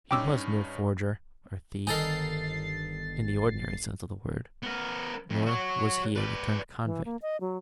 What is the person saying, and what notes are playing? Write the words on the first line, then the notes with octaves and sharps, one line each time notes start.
He was no forger, or thief--in the ordinary sense of the word; nor was he a returned convict.
G2 C#4 D#4 G5 D6 E6
G1 D#3 D#4 A4 A#4 G#5 A6 C7
B3 A#4
F2
F#4 C#5
B4 D5
E3
A#3
D#5
F#3